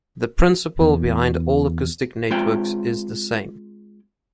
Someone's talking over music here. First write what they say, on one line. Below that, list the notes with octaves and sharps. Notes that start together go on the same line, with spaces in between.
The principle behind all acoustic networks is the same.
E2
G#3 C4 F4 C5 G5